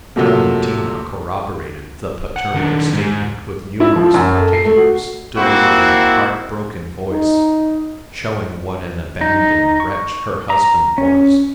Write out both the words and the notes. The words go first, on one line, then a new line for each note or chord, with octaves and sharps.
Clementina corroborated the paternal statement with numerous particulars, delivered in a heart-broken voice, showing what an abandoned wretch her husband was.
C3 F3 F#3 A3 A#3
F#5
D#3 D4
G#2
E4
F3
F#2
A4
C7
A3
F#4
A#3 C4 E4 F#4
D#4
D#4
C#6
A#5
C#4